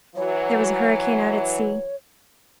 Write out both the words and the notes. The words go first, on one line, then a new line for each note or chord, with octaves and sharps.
There was a hurricane out at sea.
E3 F#3 C#5